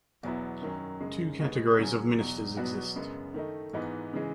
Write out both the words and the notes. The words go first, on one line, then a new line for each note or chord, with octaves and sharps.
Two categories of ministers exist.
E2 B2 F#3 B3 E4
F#2 D#3 F#3 C#4
F#2 C#3 G#3
B2 G#3 B3
C#3 F#3 C#4 G#4
E2 B2 F#3
E2 B2 F#3 B3 F#4
F#2 C#3 G#3 B3
D#3 A3 D#4
G#2 E3 B3 D#4
C#3 E3 G#3